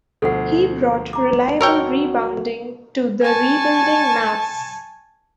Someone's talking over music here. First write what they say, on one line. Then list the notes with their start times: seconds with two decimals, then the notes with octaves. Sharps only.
He brought reliable rebounding to the rebuilding Mavs.
0.22 D2 B2 F3 A4 F#5
1.13 A#5 D6
1.61 F#4 A#4 C#5 G5 A5 C6 E6
3.22 G#5 A5 C#6